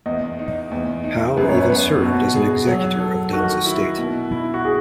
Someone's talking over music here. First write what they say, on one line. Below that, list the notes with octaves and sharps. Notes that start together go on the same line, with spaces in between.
Howe even served as an Executor of Dunn's estate.
E2 D#5
D#4
E2
D#4
F#2 B4
C#5
B4
B3
B2 F#4
G#4
F#3
A4
D#3 F#4
E4
B2
E4
F#4
G#4